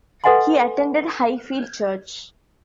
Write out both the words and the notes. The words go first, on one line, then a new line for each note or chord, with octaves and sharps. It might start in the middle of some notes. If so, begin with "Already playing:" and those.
He attended Highfield Church.
A4 B4 D#5 F#5 G#5 C6